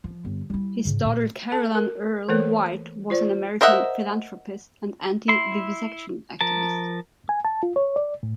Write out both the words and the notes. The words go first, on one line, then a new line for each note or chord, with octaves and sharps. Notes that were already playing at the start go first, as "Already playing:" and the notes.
His daughter Caroline Earle White was an American philanthropist and anti-vivisection activist.
F3
G1
G3 E4
G#2 C#3
A#2
A4 A5
A#4
E3 A3 A#3 A4 A#4 C#5
F4 C5 D5
A#4 C5 D#5 E5 F#5
E4 C6
F3 A#4 A5
G#5
A5
F4
C#5
D5
A2